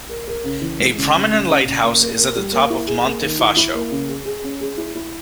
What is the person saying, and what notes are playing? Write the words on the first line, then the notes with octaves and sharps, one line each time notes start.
A prominent lighthouse is at the top of Monte Facho.
A#4
A#4
C#3
E3
G#3
C#3
C#3
C#3
C#3
C#3
A#3
A#3
A#3
G3
A#3
E4
G#4
A#3
D#3
E4
E4
A#3
C#3
G#4
G#4
C#4
G#4
E4
E4